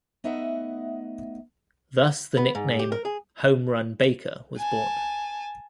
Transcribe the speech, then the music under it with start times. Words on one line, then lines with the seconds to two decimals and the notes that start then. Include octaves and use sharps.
Thus the nickname "Home Run" Baker was born.
0.24 A3 B3 D#4 D#5 E5 F#5
2.37 B3
2.55 G#2
2.79 G4
2.92 A#4
3.05 G#4
4.57 G#5 A5